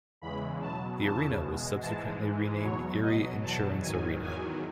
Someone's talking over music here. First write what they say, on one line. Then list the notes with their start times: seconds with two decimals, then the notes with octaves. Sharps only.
The arena was subsequently renamed Erie Insurance Arena.
0.21 E2 C#3 E3 G#3 B5
0.61 B2 F#3 A5
1.01 E2 C#3 E3 A5
1.42 B2 G#3
1.82 G#2 E3 G#3 A5
2.22 G#2 E3 G#3
2.62 E2 B2 F#3 C#5
3.02 B2 F#3 D#5
3.42 E2 B2 F#3 A5
3.82 G#2 D#3 F#3 G#5
4.23 E2 D#3 F#3 G#5